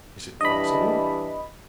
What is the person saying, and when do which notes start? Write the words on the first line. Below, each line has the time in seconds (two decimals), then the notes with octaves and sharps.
"Is it possible?"
0.41 E3 G3 D4 D#5 B5